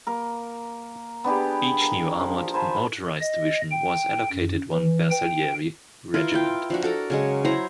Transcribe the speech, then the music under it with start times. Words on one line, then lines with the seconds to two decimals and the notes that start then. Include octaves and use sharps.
Each new armoured and motorised division was allocated one Bersaglieri regiment.
0.07 A#3 A#4
1.24 B3 D4 G4 G#4
1.80 A#4 F5
2.20 F3
2.54 C5 G#5 A5 B5
3.21 D#5
3.71 G5
4.32 F#2
4.73 E3
5.11 G5
6.14 E4 F4 A#4 B4
6.32 E4 F4 G5
6.70 F3 D4 F#4
6.83 F#4 A4 A#4 A#5
7.10 C#3 F#3 G#3
7.45 F#3 E4 C5 A#5